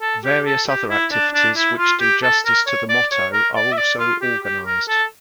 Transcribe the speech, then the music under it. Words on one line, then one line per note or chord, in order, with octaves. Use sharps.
Various other activities which do justice to the motto are also organized.
A4
G4
A4
G4
E4
D4
D4
E4
F4
G4
A4
A#4
C#5
D5
C#5
A#4
D5
E5
D5
F4
G4
G4
A#4
A4